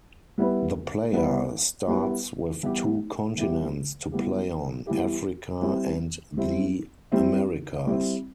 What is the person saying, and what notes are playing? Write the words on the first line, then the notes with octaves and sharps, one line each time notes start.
The player starts with two continents to play on, Africa and the Americas.
G3 B3 E4 B4
G3 B3 E4 B4
G3 B3 E4 B4
E3 G3 B3 E4 G4
E3 G3 B3 E4 G4
E3 G3 B3 E4 G4
E3 G3 B3 E4 G4
G3 C4 E4
G3 C4 E4
G3 C4 E4
G3 C4 E4